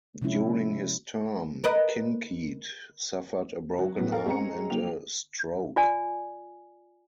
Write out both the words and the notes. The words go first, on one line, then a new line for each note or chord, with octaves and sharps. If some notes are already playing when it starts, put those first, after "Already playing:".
During his term, Kinkead suffered a broken arm and a stroke.
C3 F3 G#3 C#4 E4
A#4 B4 D#5
F#3 F#4
A2 F#3 B3
A4 A#4 F5
G#3 C4 C#4 A#5 C#7
F#3 A#3 G5 F7
F4 D5 G#5